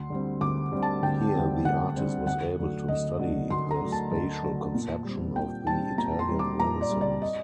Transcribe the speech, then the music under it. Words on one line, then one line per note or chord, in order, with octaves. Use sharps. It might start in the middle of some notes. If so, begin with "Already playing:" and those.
Here the artist was able to study the spatial conception of the Italian Renaissance.
Already playing: D2 C6
D3 G3 C4
D2 D6
D3 G3 C4
A5
D2 G5
D3 G3 C4
D2 F#5
D3 G3 C4
D2 F#5
D3 F#3 A3
D2 D#5
D3 F#3 A3
D2 C6
A#5
D3 F#3 A3
A5
D2
D3 F#3 A3
A#2
G3 C4
A#2 G5
G3 C4 A5
A#2 A#5
C6
G3 C4
D6
A#2 A#5
D5
G3 C4
D5
D#5